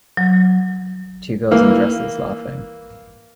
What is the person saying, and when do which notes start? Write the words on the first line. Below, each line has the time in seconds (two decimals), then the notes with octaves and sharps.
Two girls in dresses laughing.
0.17 F#3
1.51 E3 A#3